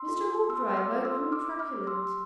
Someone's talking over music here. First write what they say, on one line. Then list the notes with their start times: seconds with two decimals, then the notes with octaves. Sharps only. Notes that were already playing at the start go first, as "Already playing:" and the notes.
Mr. Hoopdriver grew truculent.
Already playing: C6 E6
0.08 F4 A4
0.49 B3 C6 E6
0.69 E6
0.77 D6 F6
0.91 F4 A4
1.05 C6 E6
1.32 D4 D6 F6
1.59 D6 F6
1.73 G4
1.87 C6 E6